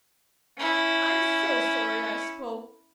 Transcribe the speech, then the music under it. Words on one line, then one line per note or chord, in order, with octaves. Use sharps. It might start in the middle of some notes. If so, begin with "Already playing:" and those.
I'm so sorry I spoke.
C#4 E4